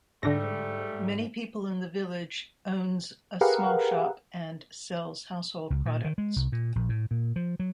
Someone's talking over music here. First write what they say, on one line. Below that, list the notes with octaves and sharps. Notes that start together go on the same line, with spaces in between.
Many people in the village owns a small shop and sells household products.
G#2 D3 G3 A3 D4 A#6
G4 G#4 A#4 B4 F5 F#5
C#2
A#2
D#3
G#3
C2
A#2
A#1
A2
A#2
F3
F#3